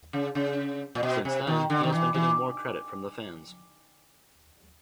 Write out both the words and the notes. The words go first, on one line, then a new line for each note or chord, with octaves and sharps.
Since then, he has been getting more credit from the fans.
C#3
C#3
A#2
B2
C3
D#3
D3
D#3
E3
E3